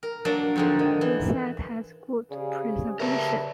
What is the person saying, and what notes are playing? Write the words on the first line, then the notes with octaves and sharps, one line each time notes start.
The site has good preservation.
A#4
F#3 A#3 D4 D5 A5
F2 G#2 D3
D#3
E3
C#3 G4 G#4 C5 D5
A#4 B4 C#5 E5 A5